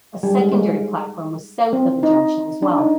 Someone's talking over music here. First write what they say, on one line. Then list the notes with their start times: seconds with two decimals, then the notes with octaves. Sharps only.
A secondary platform was south of the junction as well.
0.23 G3
0.39 G#3
0.53 G#3
0.68 G#3
1.73 C4
2.03 D#4
2.62 D4
2.78 D#4